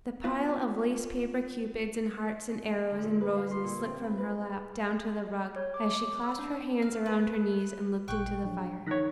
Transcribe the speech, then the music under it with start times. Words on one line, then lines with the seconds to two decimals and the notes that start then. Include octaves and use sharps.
The pile of lace-paper cupids and hearts and arrows and roses slipped from her lap, down to the rug, as she clasped her hands around her knees and looked into the fire.
0.24 B3 F4
2.90 D3
3.03 A#2
3.21 B4
3.36 F5
3.51 C6
3.64 A#2
3.86 C4
4.04 B5
4.18 B4
5.56 C#5
5.74 D6
6.23 E6
6.39 D4
6.82 A#4 F5
7.06 B4
8.08 A1 A#2 G5 C#6 F#6
8.44 F3 F#3 D4
8.87 D#3 C#5 F#6 A#6 B6